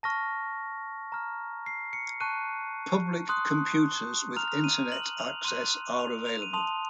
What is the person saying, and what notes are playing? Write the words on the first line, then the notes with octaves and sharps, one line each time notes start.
Public computers with Internet access are available.
A5 C#6 F6 A#6
A#5 F6
C7
C#7
A5 C#6 F#6 D#7
C6 D#6 F#6
A#5 F6 F7
D#7
F#7
F7
C6 F#6 D#7
F7
F7
D#7
A5 C6 D#6 F7